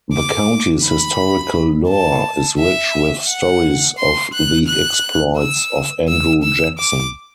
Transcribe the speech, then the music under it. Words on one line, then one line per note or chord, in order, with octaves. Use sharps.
The County's historical lore is rich with stories of the exploits of Andrew Jackson.
D6
B5
A5
E5
F#5
C6
F#6
F#6
E6
E6
E6
D6